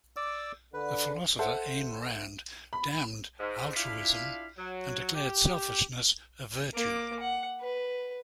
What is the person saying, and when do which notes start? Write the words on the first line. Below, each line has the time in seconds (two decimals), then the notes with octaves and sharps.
The philosopher Ayn Rand damned "altruism" and declared selfishness a virtue.
0.16 D5 D6 E6
0.74 D3 B4
1.39 A4 C5 E5 F#5
2.73 B5
3.39 G#2
3.75 D4 E4 F4 G4 F5 B5
4.57 F#3
5.14 G4
6.74 A#3 D6
7.20 F#5
7.61 B4